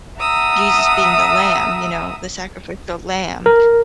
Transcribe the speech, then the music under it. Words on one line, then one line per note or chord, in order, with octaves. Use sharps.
Jesus being the lamb, you know, the sacrificial lamb,
E5 F#5 A5 A#5 D#6 E6
A#4